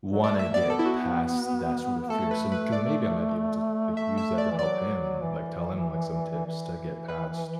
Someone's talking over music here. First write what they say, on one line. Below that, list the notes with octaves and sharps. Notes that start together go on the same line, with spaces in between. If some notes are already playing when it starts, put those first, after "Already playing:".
wanna get past that sort of fear? Some 'cause maybe I might be able to, like, use that to help him, like, tell him, like, some tips to get past,
F#3
A3 D5
E5
B3 D5
A4
E4
F#4
A3 A4
B4
B4
D5
A3 E5
E5
D5
E3
F#3 D5
E3
E3
B4